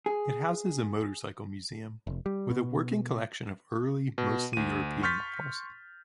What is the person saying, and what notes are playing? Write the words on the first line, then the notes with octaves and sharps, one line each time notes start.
It houses a motorcycle museum with a working collection of early, mostly European models.
G#4
F1
G3
B2
B2
D2 D#7
C6 C#6 F6 G6 A6 B6